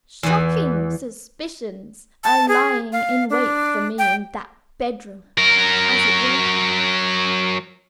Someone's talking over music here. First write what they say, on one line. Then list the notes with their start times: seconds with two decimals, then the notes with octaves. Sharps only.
Shocking suspicions are lying in wait for me in that bedroom, as it were.
0.23 E2 E3
2.24 A5
2.48 G#4
2.92 F5
3.30 D4
3.98 G5
5.38 F#3 A#4